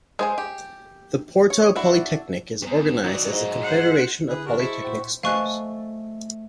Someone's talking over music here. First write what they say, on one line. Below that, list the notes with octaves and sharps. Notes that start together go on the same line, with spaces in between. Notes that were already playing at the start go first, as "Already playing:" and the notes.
The Porto Polytechnic is organized as a confederation of polytechnic schools.
G#3 G#4 C5 G#5
G4
C#5
D4 E4 F#4
E2 G2
D#3 F#3 D#4 F#4 D5
G#2 D#5
C5 F#5
D3 E4 G#4 B4
D4 F#4 G4 A#4
E4 G#4 C5 D#5 E5 A5 C#6
A#2 F#4 C5 G5 C#6
A3 C5 D#5 F5 G#5 C#6 F#6